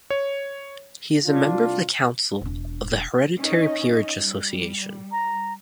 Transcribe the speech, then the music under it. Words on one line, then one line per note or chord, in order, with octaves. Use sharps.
He is a member of the Council of the Hereditary Peerage Association.
C#5
C2 D4 F4
E1 D4
C#4 D#4 D#5
G3
A#5